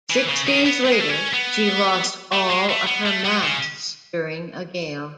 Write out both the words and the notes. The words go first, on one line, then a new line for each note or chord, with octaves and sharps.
Six days later she lost all of her masts during a gale.
E3
C#3
D#3
B3
A3
G#3
A3
C#4
B3
A3
G#3
A3
B3
A3
B3
C#3